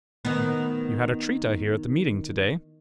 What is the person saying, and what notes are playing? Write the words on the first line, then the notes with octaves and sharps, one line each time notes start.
"You had a treat, I hear, at the meeting to-day?"
D#3 B3